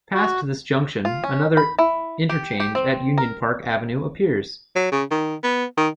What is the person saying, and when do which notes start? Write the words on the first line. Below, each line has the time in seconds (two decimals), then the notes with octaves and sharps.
Past this junction, another interchange at Union Park Avenue appears.
0.14 F#4
1.05 F4
1.24 C#4
1.57 B5
1.79 E4
2.29 G4
2.60 G4
2.75 C4
3.18 A#4
4.76 F#3
4.92 C#3
5.11 D#3
5.43 B3
5.77 D#3